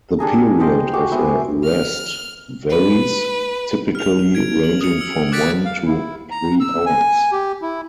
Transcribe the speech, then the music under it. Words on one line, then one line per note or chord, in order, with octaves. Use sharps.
The period of a "rest" varies, typically ranging from one to three hours.
G3 D4 G#4 A#4
G4 C5 D#5 C6
F#4 G#4 G5 D6
G#3 B3 C5 E5
F6
B4
F6 F7
G#6 D7
F#7
D#6 C#7
E6
D6 F#6 G#6 A6 B6 D7
F5
E4
A#5
E6
G#5
G4
E4